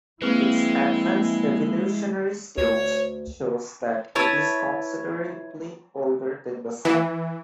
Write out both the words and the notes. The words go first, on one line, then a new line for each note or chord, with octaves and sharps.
Its advanced evolutionary stage shows that it is considerably older than the Sun.
F3 G#3 A#3 C4 E4 B4
D2 C#5
E4 B4 C#5 A5
E3